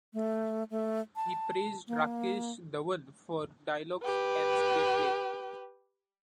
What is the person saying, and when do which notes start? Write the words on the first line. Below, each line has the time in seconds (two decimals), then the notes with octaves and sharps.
He praised Rakesh Dhawan for dialogues and screenplay.
0.14 A3
0.70 A3
1.16 A5
1.88 A#3
4.03 G4 B4